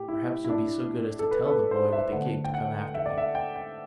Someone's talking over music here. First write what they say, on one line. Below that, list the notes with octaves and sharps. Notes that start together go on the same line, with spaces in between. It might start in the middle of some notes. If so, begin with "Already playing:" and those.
Perhaps you'll be so good as to tell the boy with the gig to come after me?
Already playing: A2 G4
E4
E4
D4
A4
B4
A4
B4
C5
E5
D3 A3 F#5
G5
F#5
E5
D5
E5
G5
G5